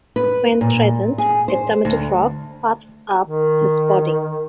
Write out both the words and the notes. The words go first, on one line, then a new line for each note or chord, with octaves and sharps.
When threatened, a tomato frog puffs up its body.
B4
A#2
G#4
C5
D2
D#3